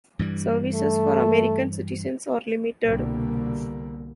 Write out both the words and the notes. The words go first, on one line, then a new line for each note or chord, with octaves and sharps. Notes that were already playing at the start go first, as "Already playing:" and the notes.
Services for American citizens are limited.
G2 E3 G3
A3
C2 B2 D3 G3 A#3